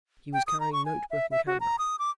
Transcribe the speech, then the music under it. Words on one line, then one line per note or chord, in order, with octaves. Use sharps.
He was carrying note-book and camera.
G5
D#6
A#5
C#6
G#5
E5
E5
F#4
A#5
D#6
D6